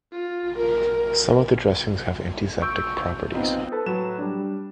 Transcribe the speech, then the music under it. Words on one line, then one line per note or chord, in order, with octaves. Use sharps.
Some of the dressings have antiseptic properties.
F4
A#4
C#6 E6 G6 D7
B3 C4 D#4 F4
A4 B4 A5
A2 F#3 B4 E7
G3 D4